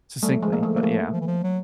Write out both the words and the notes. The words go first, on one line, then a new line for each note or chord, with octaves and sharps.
succinctly, but yeah.
G3 A3
F#3
F3 G#3
A#3
F3 A3
A#3
F3 A3
F3
E3
F3
F#3